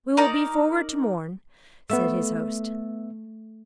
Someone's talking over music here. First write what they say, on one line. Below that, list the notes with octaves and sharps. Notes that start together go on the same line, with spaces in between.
We will be forward to-morn, said his host.
D#4 A#4 D5
A3 B3 E5 E6